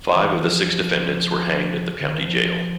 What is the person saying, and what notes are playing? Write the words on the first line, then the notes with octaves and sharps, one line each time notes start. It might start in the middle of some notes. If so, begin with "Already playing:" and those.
Five of the six defendants were hanged at the county jail.
E3
F3
F3
D3
D#3
E3
F3